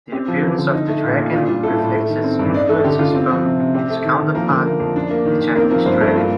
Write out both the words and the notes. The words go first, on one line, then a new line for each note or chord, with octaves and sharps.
The appearance of the dragon reflects its influences from its counterpart, the Chinese dragon.
C4 G4
F3
D3
D3
D#4
A3
A#2
A#2
D4 F4
G3 F4
A2 A3 A4
A2
A3
D#3
C4
G2
D4 D#4 D5
A3 A4
D3 G4
D3 F4
C4
F3
C3
C3
C4 G4
A3
D#3
D#3
F3 A#3 A#4
D3
A#3
F2
D4
A#3
D#3
D#3
A#3 C4 A#4
F3 A#3 A#4
G2 C4 C5
G2 A3 A4
A#3 F4